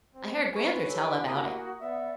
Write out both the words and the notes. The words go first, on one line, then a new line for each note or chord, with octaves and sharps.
I heard Gran'ther tell about it.
C4
C4 B4 G#5 C#6
E4 G4 A4 C#5 G#5
A#3 F#4 D#6 A#6
B3 C#4 D5 E5 F#5